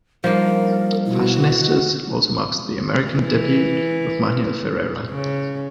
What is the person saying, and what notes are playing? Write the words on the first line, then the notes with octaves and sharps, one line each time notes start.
"Fashionistas" also marks the American debut of Manuel Ferrara.
F3 G3 A#3 D4 D#4 A#4
B2 E4 F#4
E3
C#3